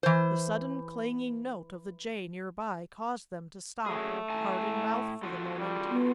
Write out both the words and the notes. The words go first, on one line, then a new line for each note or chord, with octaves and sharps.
The sudden clanging note of the jay near by caused them to stop, heart in mouth for the moment.
E3 C5
F#3 A3 G#4
A2 G#5 A5
F4 F#4 A4
G3
B3